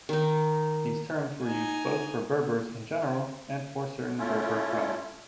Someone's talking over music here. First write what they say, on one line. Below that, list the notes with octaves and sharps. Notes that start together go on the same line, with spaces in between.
These terms were used both for Berbers in general and for certain Berber tribes.
D#3 D#4
D#4 G#5
A3 C#4 E4 F4